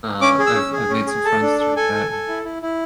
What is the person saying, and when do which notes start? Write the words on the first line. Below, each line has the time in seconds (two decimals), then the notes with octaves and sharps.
Uh, I've I've made some friends through that and
0.21 C#4 D6
0.39 G#4
0.47 E6
0.55 C#4
0.72 G#4
0.90 C#4
1.07 G#4
1.25 A4 A5
1.42 D4
1.60 A4
1.76 A4 G#5
1.94 A4
2.11 A4
2.28 E4
2.45 E4
2.62 E4